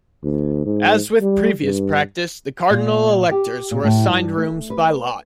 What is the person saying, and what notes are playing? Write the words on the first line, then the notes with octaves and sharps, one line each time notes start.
As with previous practice, the cardinal electors were assigned rooms by lot.
D2
G#2
G3
G2
A#2
G4
A#2
A2
G2
A3
B4